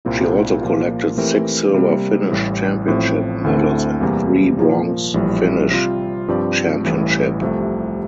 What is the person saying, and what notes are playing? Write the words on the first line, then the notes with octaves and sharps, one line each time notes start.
She also collected six silver Finnish Championship medals and three bronze Finnish Championship.
C2 A#2 G3 C4 E4
A#2 F3 A#3 F4
E3 A3 C4 G4 A#4
C3 G3 A#3
A1 A2 G3
A1 A2 F3 C4
D2 D3 A3 C4 E4
E2 C3 G3 A#3
A#2 F3 A#3
A#1 A2 E3 G3
C3 G3 C4 F4
G2 F3 C4 G4 D5
A1 A2 E3 G3
C2 C3 F3 A3